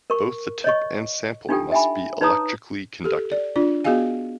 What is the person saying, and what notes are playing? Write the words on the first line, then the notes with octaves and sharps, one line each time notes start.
Both the tip and sample must be electrically conductive.
A#4 C#6
C#5 D#5 C#6
D4 D#4 F4 G4 A4 G5
E5 G5 G#5 B5
D#4 B4 C#5 A5 A#5 D#6
G4 A4
D5
D4 F4 D5
B3 F#4 G#4 D#5 F5 G#5